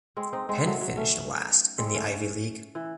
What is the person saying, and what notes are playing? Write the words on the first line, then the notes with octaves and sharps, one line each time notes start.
Penn finished last in the Ivy League.
G#3 C4
C4 D#4
G#3 C4
F#3 A3
F#3
A3 C#4
G#3 C4
A3 C#4
E3